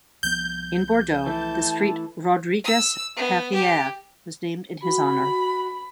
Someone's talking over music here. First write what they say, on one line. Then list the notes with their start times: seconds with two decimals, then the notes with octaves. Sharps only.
In Bordeaux the street "Rodrigues-Pereire" was named in his honor.
0.23 C2 F3 B3 G6
1.27 E3 A3 E4 A5
2.65 E6
3.17 B3
3.55 G4
4.82 F#4 B5